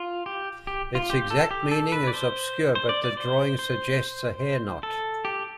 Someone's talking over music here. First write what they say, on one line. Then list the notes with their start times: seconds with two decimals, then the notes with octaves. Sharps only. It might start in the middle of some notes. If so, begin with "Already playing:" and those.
Its exact meaning is obscure but the drawing suggests a hair knot.
Already playing: F4
0.26 G4
0.67 G4
0.95 F4
1.10 G4
1.30 A4
1.51 G4
1.71 A4
1.92 B4
2.07 D5
2.14 C5
2.75 C5
2.89 D5
3.04 D5
3.17 C5
3.59 C5
4.83 A4
5.25 G4